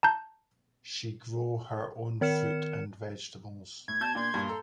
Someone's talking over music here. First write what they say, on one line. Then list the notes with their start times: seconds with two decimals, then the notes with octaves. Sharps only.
She grow her own fruit and vegetables.
0.03 A5 A#5 G6
2.21 D#3 A#4 F6 C#7 E7
3.88 A2 G#6
4.00 B2 A5 G6 A6
4.15 A#2 D4 C6
4.34 G2 A#2
4.48 A4 A#5